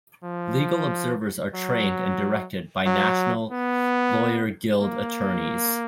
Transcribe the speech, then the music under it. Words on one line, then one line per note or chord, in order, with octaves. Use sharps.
Legal Observers are trained and directed by National Lawyer Guild attorneys.
F3
F#3
F#3
B3
A#3